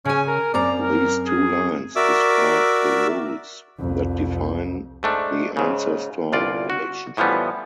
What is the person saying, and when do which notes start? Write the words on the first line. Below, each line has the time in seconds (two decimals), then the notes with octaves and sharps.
These two lines describe the "rules" that define the ancestor relationship.
0.05 C#3 C#4 G#5
0.28 A#4
0.54 F#2 C4 D5 A#5
0.81 A#4
1.26 G#4
1.96 F#4 A#4 D5 E5 D6 E6
3.78 C2 F2
5.03 G#2 A3 D4
5.57 G#2 C#3
6.32 G1 C2 F4 D5
6.70 F#4
7.17 A2 E3 F3 G3 B3